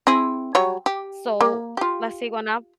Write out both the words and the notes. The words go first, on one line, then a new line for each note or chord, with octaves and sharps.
So, La Siguanab
C4 E4 G#4
F#3 G3 C#5
G4
A#3
F4 G4